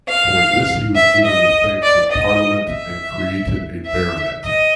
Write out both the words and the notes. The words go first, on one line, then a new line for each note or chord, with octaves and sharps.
For this he was given the thanks of parliament and created a baronet.
F5
E5
D#5
D5
D#5
E5
E5
D#5